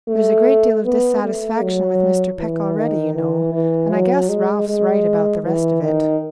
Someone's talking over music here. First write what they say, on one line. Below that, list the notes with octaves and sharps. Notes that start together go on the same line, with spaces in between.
"There's a great deal of dissatisfaction with Mr. Peck already, you know, and I guess Ralph's right about the rest of it."
A3
B3
A3
F#3
E3
D#3
E3
E3
F#3
G#3
G#3
E3
D#3